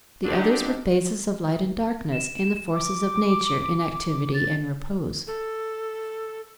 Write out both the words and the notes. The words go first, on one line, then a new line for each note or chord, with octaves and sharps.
The others were phases of light and darkness and the forces of nature in activity and repose.
F3 F#3 D4 D#4 G4 B4
E7
D6
A6
A4